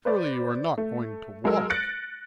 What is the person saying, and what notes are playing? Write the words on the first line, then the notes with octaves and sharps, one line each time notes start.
"Surely you are not going to walk?"
B4 C5 D5
A3
F#3 G#3 A4 A#4 E6
F#6 A6 A#6 C#7 D7